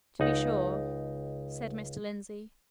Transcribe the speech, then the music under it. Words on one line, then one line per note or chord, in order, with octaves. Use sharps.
"To be sure," said Mr. Lindsey.
C#2 D#4 F#5